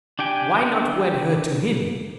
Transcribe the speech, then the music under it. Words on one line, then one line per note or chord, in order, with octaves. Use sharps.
Why not wed her to him?
D4 G4 G5 G#5